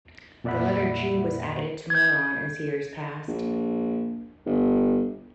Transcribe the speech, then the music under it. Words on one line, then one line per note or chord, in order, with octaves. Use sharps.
The letter "g" was added to Moron as years passed.
F2 A#2 D5 E5 F#5 B5
G6 G#6
A#1
G1